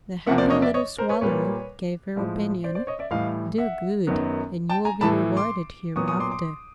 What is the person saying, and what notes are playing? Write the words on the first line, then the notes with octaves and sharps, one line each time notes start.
The happy little Swallow gave her opinion,--"Do good and you will be rewarded hereafter."
E2 C3 F3 A#3 E5 F#5
C5 D5
C#5 D#5
D5 E5
C#5 D#5
A#4 C5
B4 C#5
A#2 G3 A#3 B4 C#5
A2 F3 G#3
C5 D5
C5 D5
C#5 D#5
D5 E5
A2 E3 G3 D#5 F5
E5 F#5
F#2 D#3 F#3 B3
G5 A5
G#5 A#5
A2 E3 A3 A5 B5
C6 D6
A#2 F#3 B3 C#6 D#6
C#6 D#6
C6 D6
C6 D6